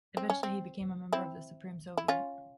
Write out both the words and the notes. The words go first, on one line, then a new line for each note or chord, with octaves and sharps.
Eventually he became a member of the Supreme Soviet.
C4
C#4
C4
C4 E4
E4
C#4 F4